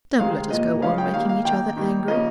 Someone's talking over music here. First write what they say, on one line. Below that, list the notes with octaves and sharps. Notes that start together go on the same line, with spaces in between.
'Don't let us go on making each other angry.
C3 D#3 G#3 F5
A#2 F3 A#3 D#5
C#3 F3 G#3 F5
G5
D#3 G3 A#3 F5
F5
D#3 A#3 G5
D#3 G3 A#3
C#3 F3 A#3 D#5